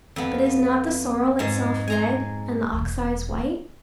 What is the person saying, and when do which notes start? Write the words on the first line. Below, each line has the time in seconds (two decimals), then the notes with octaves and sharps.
But is not the sorrel itself red, and the oxeyes white?
0.16 F2 B3
1.39 G#2 G#3
1.87 G#5 A#5 C6
2.73 E1 E2